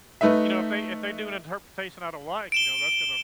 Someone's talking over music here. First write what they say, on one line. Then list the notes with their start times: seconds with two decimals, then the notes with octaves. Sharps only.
you know, if they if they do an interpretation I don't like, you know, that's gonna
0.21 A3 D#4 B4 E5
2.52 D7 E7 G7